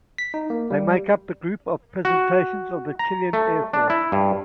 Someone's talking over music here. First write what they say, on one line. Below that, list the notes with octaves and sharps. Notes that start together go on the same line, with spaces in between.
They make up the Group of Presentations of the Chilean Air Force.
B6
D#4
A#3
G3
F#4
A#5
A3
D4
E4
G2